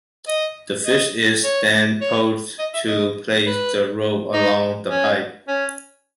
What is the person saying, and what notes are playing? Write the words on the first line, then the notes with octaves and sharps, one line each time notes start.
The fish is then pulled to place the rope along the pipe.
D#5
D#5
C#5
C#5
D#5
E5
D#5
B4
D#4
C#4
C#4